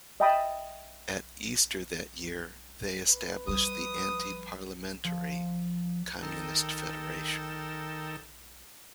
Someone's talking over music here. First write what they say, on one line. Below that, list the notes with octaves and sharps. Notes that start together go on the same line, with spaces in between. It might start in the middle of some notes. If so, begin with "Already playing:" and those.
At Easter that year they established the Anti-Parliamentary Communist Federation.
D#5 E5 G5 A5 B5 D#6
B4
F3 G3 D#6
F3
D#3 A4 A#4 G5 E6